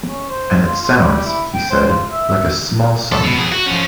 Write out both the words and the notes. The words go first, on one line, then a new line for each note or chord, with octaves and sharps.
"And it sounds" he said, "like a small sum."
C#4
C5
F4
F4
G3
E4
G5
C5
F4
E5
E5
A4
B2
F2 G#4
F#4
F3 C#4